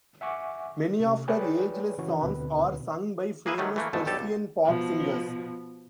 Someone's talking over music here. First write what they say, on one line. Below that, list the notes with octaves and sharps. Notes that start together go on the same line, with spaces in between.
Many of her ageless songs are sung by famous Persian pop singers.
E5 F#5 G#5 C#6 D6
C3 C#4
G#4 B4 C#5 D5 G5 G#5
C#3 E3 C#4 F#4 C#5
D2 B2 D3 C4 B4
A#3 G#4 B4 E5
D#3 F#3 G3 A3
E3 A3 A#3
G#1 G#2 B2 A3 A5
B1 G2 G4 A4 A5
C#2
B2 F3